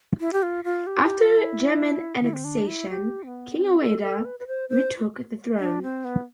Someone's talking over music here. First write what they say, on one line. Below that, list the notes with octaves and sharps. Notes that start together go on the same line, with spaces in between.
After German annexation, King Aweida retook the throne.
E4
G4
F4
F4
G4
G4
F4
E4
E4
C4
D4
E4
G4
C4
B3
C4
A4
A4
B4
B4
C5
C5
D4
C4
B3